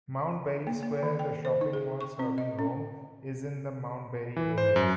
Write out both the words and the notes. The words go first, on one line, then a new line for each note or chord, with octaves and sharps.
Mount Berry Square, the shopping mall serving Rome, is in the Mount Berry area.
A#3
A#3
D#3
G5
C5
D#4
G#4
C#6
C4
D#5
C#4
E3
C5
F#2